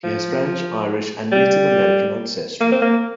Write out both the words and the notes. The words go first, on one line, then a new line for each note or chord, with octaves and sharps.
He has French, Irish, and Native American ancestry.
F3
G3
A#3
C4
A#3